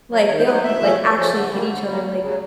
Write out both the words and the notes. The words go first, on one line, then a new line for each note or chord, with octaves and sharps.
like, they'll hit like, actually hit each other, like
F#3 B3
D#3 C#5
C5
F#3 B3 B4
C5
D2 E5
C#3 F3 A3 C#4
D2
C#3 F3 A3 C#4
D3
G3 A#3
D3
G3 A#3
D2
C#3 F#3